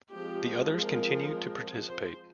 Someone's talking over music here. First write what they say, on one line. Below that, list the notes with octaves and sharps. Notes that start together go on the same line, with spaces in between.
The others continue to participate.
F3 G#3 C4 G4
A#4
C5